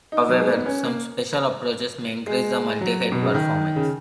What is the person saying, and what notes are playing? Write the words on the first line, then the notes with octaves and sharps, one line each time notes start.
However some special approaches may increase the multihead performance.
D#4
F#3
G#3
A#3
B3
C#4
A#3
G#3
F#3
B2
C#3
D#3
C#3